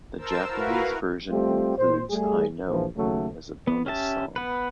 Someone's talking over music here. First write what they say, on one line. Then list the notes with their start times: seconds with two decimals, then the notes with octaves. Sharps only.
The Japanese version includes "I Know" as a bonus song.
0.18 A#4 C5 A5 E6
0.48 E4 F#4 A#4 B4 F5
1.30 G3 A3 C4 F4 G4
1.77 A#2 C5
2.11 G3 A3 G#4
2.67 A#1 E3 F3
2.97 D#2 C#3 F#3 A3
3.68 B3
3.86 C#4 G4 E5 A5
4.36 B3 B4